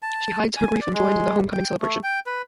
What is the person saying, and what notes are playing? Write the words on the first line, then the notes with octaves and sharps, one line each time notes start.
She hides her grief and joins in the homecoming celebration.
A5
G#5
D5
G#3
G5
A3
G5
B4